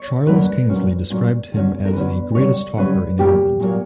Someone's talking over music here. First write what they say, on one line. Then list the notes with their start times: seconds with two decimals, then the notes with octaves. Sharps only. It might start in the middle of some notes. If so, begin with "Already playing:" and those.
Charles Kingsley described him as "the greatest talker in England".
Already playing: C#5
0.27 F#2 D3 F#3 A#3 C#4 B4
0.69 A#2 F#3 C#4
1.10 A#2 F#3 C#4
1.52 E2 D3 F#3 C#4
1.86 A#4
1.93 E2 D3 F#3 C#4 B4
2.35 F#2 C#3 G3 C#4 C#5
2.77 F#2 C#3 G3 C#4 B4
3.18 A#2 F#3 A#3 G4
3.60 A#2 F#3 A#3